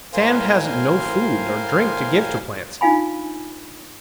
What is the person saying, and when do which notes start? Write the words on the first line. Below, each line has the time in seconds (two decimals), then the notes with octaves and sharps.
Sand has no food or drink to give to plants.
0.14 A2 A#4 C5 F5 G#5 C6
2.81 D4 D#4 F4 F5 G#5 B5